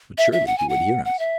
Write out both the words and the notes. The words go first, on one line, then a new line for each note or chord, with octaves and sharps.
"But surely he would hear us."
E5
E5
F#5
G#5
F#5
F#5
E5